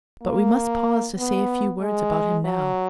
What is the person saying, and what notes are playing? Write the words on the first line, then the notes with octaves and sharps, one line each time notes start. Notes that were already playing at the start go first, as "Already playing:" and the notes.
But we must pause to say a few words about him now.
A#3
B3
G#3
F#3